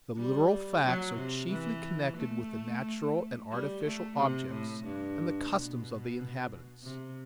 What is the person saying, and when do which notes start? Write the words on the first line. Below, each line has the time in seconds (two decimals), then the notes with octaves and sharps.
The literal facts are chiefly connected with the natural and artificial objects and the customs of the inhabitants.
0.17 G3
0.84 F#3
1.17 C3
1.50 E3
2.17 A3
3.51 G3
3.84 A3
4.17 C3
4.50 A2
4.83 G2
5.50 B2
6.83 C3